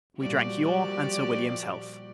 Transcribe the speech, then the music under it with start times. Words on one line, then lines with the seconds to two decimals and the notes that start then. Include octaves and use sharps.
We drank your and Sir William's health.
0.19 A#2 F3 G3 F#4 G4 D5